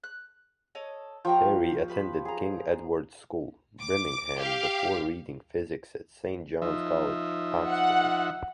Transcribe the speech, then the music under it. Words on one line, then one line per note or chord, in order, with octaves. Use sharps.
Perry attended King Edward's School, Birmingham before reading physics at Saint John's College, Oxford.
F#6
A4 C#5 D#5
F3 G4 G5 A#5 C#6
G4 B4 B5
G#4 A#5
D6
G4 F5
F3 D#4 E5
F#5